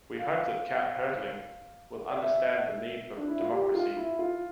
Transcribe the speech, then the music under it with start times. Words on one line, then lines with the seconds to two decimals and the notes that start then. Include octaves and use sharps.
We hope that Count Hertling will understand the need for democracy.
0.17 F5
0.40 F5
0.62 F5
2.11 D5
2.18 E5
3.17 D4
3.28 E4
3.40 F4
3.52 G4
3.74 F4
3.97 E4
4.19 F4